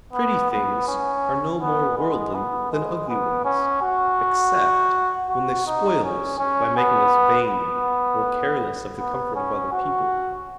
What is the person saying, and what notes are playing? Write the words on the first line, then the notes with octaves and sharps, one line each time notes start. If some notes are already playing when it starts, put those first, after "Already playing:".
Pretty things are no more 'worldly' than ugly ones, except when they spoil us by making us vain, or careless of the comfort of other people.
B3
B3
C#4
B3
G#3
B3
G#3
B3
C#4
F#4
F#4
D#4
C#4
C#4
B3
B3
B3
C#4
F#4